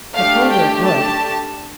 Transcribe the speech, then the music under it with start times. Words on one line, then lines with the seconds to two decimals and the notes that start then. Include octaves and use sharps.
"I told her it would."
0.15 A3 D4 G4 F5
0.51 G5
0.86 A5